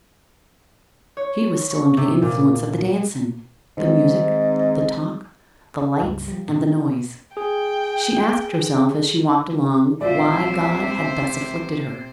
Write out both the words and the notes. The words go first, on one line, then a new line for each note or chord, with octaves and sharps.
She was still under the influence of the dancing, the music, the talk, the lights, and the noise; she asked herself as she walked along why God had thus afflicted her.
C#5
C#6
C3
A#2
G#2 D#3 G#3 C4
C#2 G2
F3 G3
G2 A#2 D#3
D#3
G#4 G5
A#1 C3 G#3 F4 C5 D5 E5